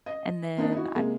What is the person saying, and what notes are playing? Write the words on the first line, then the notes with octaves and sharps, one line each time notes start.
and then I've
D#5
A#3 C4 D4 D#4
D#4 E4 F#4
C3 G#3 A#3